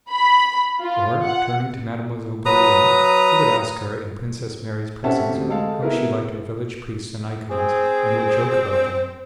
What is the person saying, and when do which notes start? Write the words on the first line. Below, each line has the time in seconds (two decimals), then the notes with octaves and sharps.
Or, turning to Mademoiselle Bourienne, he would ask her in Princess Mary's presence how she liked our village priests and icons and would joke about them.
0.10 B5
0.81 F4
1.23 F#5
2.45 F#3 B4 A#5 D#6
5.04 C4 C#4 G4 A4 E5 F#5
5.29 D2 C3
5.49 G#3 A4 F5
5.82 B3 E4 G#4 A#4 B4
7.51 C4 G#4